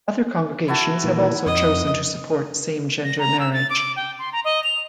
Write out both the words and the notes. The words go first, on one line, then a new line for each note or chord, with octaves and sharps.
Other congregations have also chosen to support same-gender marriage.
E4 F#4 A5
A#2 D#3 E3
F2 D#5
A#6
A#5
E6
A6
D6
G5
C6
A#5
D#5
F7